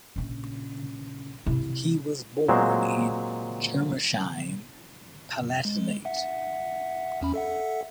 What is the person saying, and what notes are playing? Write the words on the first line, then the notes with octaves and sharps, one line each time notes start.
He was born in Germersheim, Palatinate.
A#1 C#3
C3 E4
A#2 F#3 G#3 C4
G#3
E5 F#5
E2 C#4 B5
A4 E5 F#5